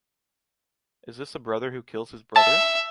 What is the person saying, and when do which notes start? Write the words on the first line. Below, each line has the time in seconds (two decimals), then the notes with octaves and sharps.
Is this a brother who kills his brother?
2.36 E5 A5